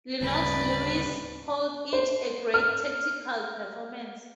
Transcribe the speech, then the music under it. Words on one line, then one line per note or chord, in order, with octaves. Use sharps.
Lennox Lewis called it "a great tactical performance".
D1 G2 C#3 B4 D5
C5
F6